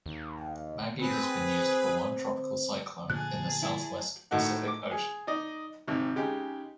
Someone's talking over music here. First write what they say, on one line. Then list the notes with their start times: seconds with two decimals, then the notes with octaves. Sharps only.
Maggie has been used for one tropical cyclone in the southwest Pacific Ocean.
0.06 D#2
0.99 C4 G#4 B4
3.10 A#2 D3 F3 G#4 A5 F#6
3.63 E4
4.31 A2 D#3 D#4 F#4 F#5
4.68 D6
4.91 G#4
5.27 D#4 D5 D#5
5.87 G#1 C3
6.16 C#3 G#3 D#4 G4